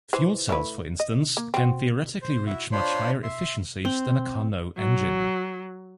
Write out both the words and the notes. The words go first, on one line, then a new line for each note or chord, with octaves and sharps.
Fuel cells, for instance, can theoretically reach much higher efficiencies than a Carnot engine.
E3 B4 C5
A3 E4 B4
D#5
A#3
C4 F#4
C5
E4 F#4 E5
D4 F4 C5 C#5 B5 C6
E5 C6
C4
F#3